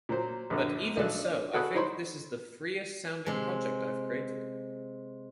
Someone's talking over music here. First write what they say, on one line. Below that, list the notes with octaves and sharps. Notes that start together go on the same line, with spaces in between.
But even so, I think this is the freest sounding project I've created.
A#2 F#3 C5
A#1 F#2 D3 A4
B1 D4 A4 F#6
D4
F#4 G#4 A4 B5 D#6 F#6
D#4 E4 C5 C#5 B5 C6
C3 G#3